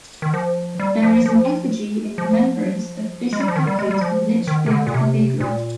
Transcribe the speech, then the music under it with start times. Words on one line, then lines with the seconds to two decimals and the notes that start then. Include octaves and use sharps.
There is an effigy in remembrance of Bishop Hacket in Lichfield Cathedral.
0.22 D#3
0.34 F3
0.80 G3
1.03 F3
1.26 F3
2.18 F3
3.33 G#3
3.40 G3
3.48 F3
3.56 D#3
3.67 G3
3.79 G#3
3.91 G3
4.01 F3
4.47 D#3
4.66 C3
4.71 D3
4.87 A#2
4.94 C3
5.40 A#2